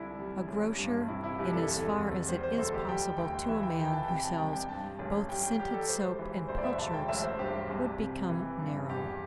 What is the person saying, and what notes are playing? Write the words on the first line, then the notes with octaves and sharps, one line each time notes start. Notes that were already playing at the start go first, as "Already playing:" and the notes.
A grocer, in as far as it is possible to a man who sells both scented soap and pilchards, would become narrow.
Already playing: C2 D3 E4
G3
A1
G2
C3 E4
E4
C2 G4
A4
E2 A4
E2
G3 C5
C5
D2 A4
G4
G3 G5
D2 G5
E3 E5
G5
E3 G5
A5
C3 G5
A5
C2 G5
G5
G2 A5
A1
G3 G5
G5
G3 G4
A4
E1 C5
E3
D2 C5
D5
E5
E1 A5
G5
A1 E5
C5
G2 G4
C2 G4
C3
E3
G2
E2 G4